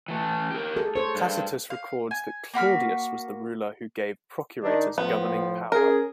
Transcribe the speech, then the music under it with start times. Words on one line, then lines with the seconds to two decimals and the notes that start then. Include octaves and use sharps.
Tacitus records that Claudius was the ruler who gave procurators governing power.
0.08 E3 A3
0.51 G4 A#4
0.76 G#4 A4
0.96 A4 C5 C#5
1.15 G2
1.70 F5
2.11 G#5
2.54 A#3 F#4 B5 F6
4.63 D#3 D4 D#4
4.98 A2 F3 B3
5.72 C#4 G#4 A#4